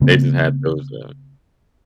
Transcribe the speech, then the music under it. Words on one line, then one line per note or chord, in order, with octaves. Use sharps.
They just had those, uh
C#3 A3 B3 C4